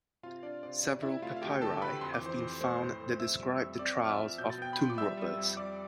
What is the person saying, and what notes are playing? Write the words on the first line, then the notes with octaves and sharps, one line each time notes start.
Several papyri have been found that describe the trials of tomb robbers.
C3 F4 F5
D4 D5
C3 D5
C3 D5
C3 E4 E5
A3 F4 F5
F5
D2 G4 G5
D3 A4 A5
D3 B4 B5
F2 C6
D6
E3 C5 C6
F2
A3 C5 C6
A2
A3
F2 E5 E6
G3
F2
E6
C4 D5 D6
F3
F6
E5 E6
F3
B2 G6
A6
B3 G5 G6
B5
F4 C6
D6
G3 E5 E6
G3
F2
G3 D5 D6